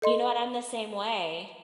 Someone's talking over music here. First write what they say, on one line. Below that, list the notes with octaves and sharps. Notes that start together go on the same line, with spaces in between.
You know what? I'm the same way.
A4 D#5 C6